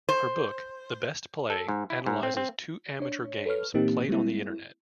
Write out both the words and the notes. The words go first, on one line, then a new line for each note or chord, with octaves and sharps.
Her book, The Best Play, analyzes two amateur games played on the internet.
C5
A4
G#2
E4
G#2
C4
C4
D4 C#5
A4 B4 C#5 F6
A#2 E3 A#3 C4 D#4 G4
G3 G#3 A#3 C4 E4